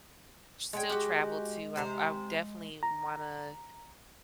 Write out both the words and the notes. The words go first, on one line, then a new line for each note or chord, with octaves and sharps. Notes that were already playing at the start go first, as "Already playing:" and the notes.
still travel to. I I definitely wanna
G#3 C#5 D5 G5
F#4 G4
C3 C5 A#5
A#5